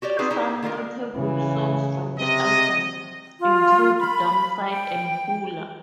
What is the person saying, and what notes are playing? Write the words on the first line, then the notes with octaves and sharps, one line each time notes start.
Some notable songs from the album include "Dumpsite", and "Hula".
F#4 G4 C#5 D5
B3 C4 D#4 F#4 G#4 B4
D#4 E4 G4
D#3 D4 F4 G#4 A#4
C#3 E3
C3 D#5
F4
B5
G5